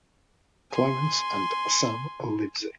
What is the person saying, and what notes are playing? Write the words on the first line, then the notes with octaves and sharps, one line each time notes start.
Clarence and Sam Livesey.
G#5 C6